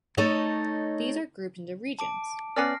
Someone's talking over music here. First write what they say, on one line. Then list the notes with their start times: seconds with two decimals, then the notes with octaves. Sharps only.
These are grouped into regions.
0.17 A3 D#4 A4 C#5 D#5
1.99 A5 D6 D7
2.56 B3 C#4 D5 F6 A#6 C7